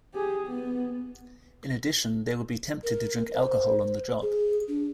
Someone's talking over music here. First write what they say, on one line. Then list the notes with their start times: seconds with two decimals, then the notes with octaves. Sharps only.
In addition they would be tempted to drink alcohol on the job.
0.14 G4 G#4
0.47 B3
2.83 A#4
3.32 C5
4.22 G#4
4.68 D4